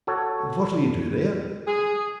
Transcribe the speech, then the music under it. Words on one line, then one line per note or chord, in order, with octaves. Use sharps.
And what'll you do there?
F#4 A4 C#5
G#4